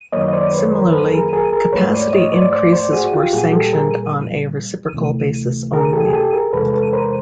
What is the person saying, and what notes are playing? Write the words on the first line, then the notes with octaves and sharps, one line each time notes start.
Similarly, capacity increases were sanctioned on a reciprocal basis only.
F#2 D#3 F#3 A#3 C#5 D#5
D#5
C5 D5
B4 C#5
A#4 C5
A4 B4
G#4 A#4
G#4 A#4
G#4 A#4
G#2 F3 A3 B4 C#5
C5 D5
C#5 D#5
C5 D5
C5 D5
C5 D5
F#4 G#4
F4 G4
A#2 G3 A#3 F#4 G#4
G4 A4
G#4 A#4
D2 C3 E3 A3
G#4 A#4
G4 A4
G#4
G4 A4
G#4 A#4
E2 C3 E3 G#3 A4 B4
A4 B4
A#4 C5